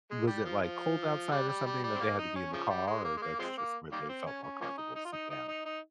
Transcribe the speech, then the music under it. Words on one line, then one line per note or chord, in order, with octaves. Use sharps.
Was it, like, cold outside or something that they had to be in the car or that's just where they felt more comfortable to sit down?
G#3
G3
F3
F3
G3
G3
G3
G3
C4
A#3
D#4
C#4
C#3 F3
G3
G#3
A#3
G#3
A#3
F3 G#3 C4
A#3
D#3 G3 A#3
C4
C#4
C#4
F3 A#3 C#4
D#4
D#4
F4
D#4
D#4
D#4
D#4